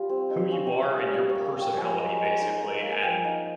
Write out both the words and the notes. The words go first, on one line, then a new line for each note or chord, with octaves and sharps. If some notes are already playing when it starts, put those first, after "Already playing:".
who you are and your personality, basically, and
Already playing: G3 F4
C4
D#4
C#4 F5
G5
G3
F5
C#4
F5
G3 F5
C#5
A#3
F5
A#3
G5
F3 G#5
A#5
G#3
A#5
G#3
A#5
D#4 A#5
D#4
A#3 A#5
G#5
F3 G5
D#4 F5